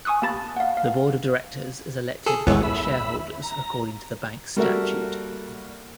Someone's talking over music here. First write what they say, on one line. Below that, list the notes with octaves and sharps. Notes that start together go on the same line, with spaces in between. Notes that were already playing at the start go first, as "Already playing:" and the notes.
The Board of Directors is elected by the shareholders according to the bank statute.
G#5 C#6 D#6 E6 F#6
A#3 B3 G4 A5 B5 A6
F5 F#5
F5
G#4 A4
A1 D#2 G#3 B3 E4 C#5
E5 B5
A#5
G3 A#3 F#4 A4 A#4 E5